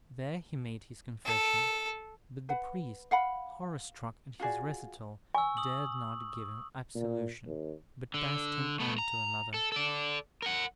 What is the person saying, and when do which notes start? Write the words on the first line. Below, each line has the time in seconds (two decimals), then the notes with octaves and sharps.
There he made his confession; but the priest, horror-struck at his recital, dared not give him absolution, but passed him on to another.
1.25 A4
2.49 B4 F#5
3.11 F5 F#5 B5
4.40 F4 F#4 G#4 D5
5.35 G#5 C#6 E6
5.57 D#6 F#7
6.95 A#2
7.47 D#2
8.14 D3
8.80 A3 B3
8.98 A#5
9.54 A4
9.72 A4 D5
10.42 A#4 F#5